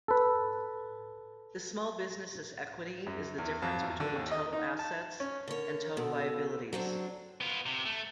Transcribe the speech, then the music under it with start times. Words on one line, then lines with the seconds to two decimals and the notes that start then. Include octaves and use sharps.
The small business's equity is the difference between total assets and total liabilities.
0.08 A4 B4
3.06 F#2
3.38 E2
3.62 F2
3.82 E2
4.00 D3
4.16 D#2
4.31 D#5
4.53 D#4
4.79 A5
5.20 C#4
5.48 D3 A#4 C#5
5.97 B2 A4
6.73 F#3 C4 D4
7.41 B3 F4
7.66 C3
7.86 A3